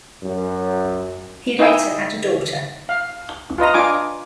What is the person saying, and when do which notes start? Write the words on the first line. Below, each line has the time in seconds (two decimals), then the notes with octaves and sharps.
He later had a daughter.
0.23 F#2
1.59 D#4 E4 D#5 G5 G#5 E6
2.89 F5
3.58 F4 B4 D#5 A#5
3.74 D4 F4 G#5 D6